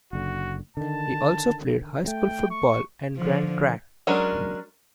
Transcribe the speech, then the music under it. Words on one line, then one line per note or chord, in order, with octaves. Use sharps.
He also played high school football and ran track.
F#1 D3 F#4
D3 D#3 A5
A3 G5
C#6
D3 F3
F#3 G#3 C#4 D4 A#4